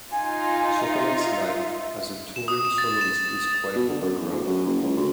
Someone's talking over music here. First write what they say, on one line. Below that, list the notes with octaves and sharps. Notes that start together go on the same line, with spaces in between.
Sokolov's life as a touring soloist is quite overcrowded.
D#4 F4 G#5
E5
E7
D#6
E7
A6
E7
A6
B2
D3
F#2
E2
D2
F#2
F#1
C#2
D2